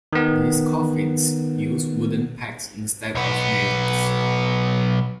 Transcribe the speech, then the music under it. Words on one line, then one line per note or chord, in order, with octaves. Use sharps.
These coffins use wooden pegs instead of nails.
D#3 B3
B1 B3